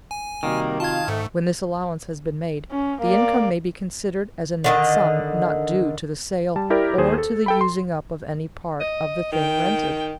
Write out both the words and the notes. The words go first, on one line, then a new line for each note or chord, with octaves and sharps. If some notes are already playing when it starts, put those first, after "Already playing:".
When this allowance has been made, the income may be considered as a net sum not due to the sale, or to the using up of any part of the thing rented.
G#5
C3 D#3 G3 A#3 F#4
F4 A5 G#6
G#2 A3
C#4
A#3 D5
D3 D#3 D#5
G3 A5
E4 G4 A#4 D5
D#2 G#4 C5
A4
A4 G5 B5
C6
D#5
D#3 G5